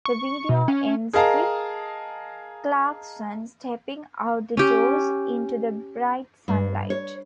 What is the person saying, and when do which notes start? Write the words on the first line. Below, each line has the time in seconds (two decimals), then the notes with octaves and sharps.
The video ends with Clarkson stepping out the doors into the bright sunlight.
0.05 C#6
0.49 B2
0.68 C#4
1.13 G#4 A#4 D#5 F5 A5 A#5
4.57 C#4 G4
6.48 G2
6.90 C#5